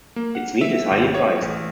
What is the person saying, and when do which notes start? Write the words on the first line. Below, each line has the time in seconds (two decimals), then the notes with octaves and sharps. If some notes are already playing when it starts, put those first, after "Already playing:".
Its meat is highly prized.
0.16 A#3
0.35 F#5
0.61 E5
0.91 G#1
1.14 C#5
1.42 A1